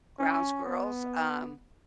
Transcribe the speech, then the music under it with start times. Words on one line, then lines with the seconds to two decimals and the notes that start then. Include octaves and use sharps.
Ground squirrels, um,
0.19 C#4
0.65 B3